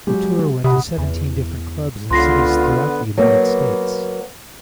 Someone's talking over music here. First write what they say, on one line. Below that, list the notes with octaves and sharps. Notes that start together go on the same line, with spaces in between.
The tour went to seventeen different clubs in cities throughout the United States.
F#3 G#3 G4
C3 F#5 B5 D#6
E2
C#2 D3 B3 F4 B4 C6 A#6 C7
F#3 A#3 B3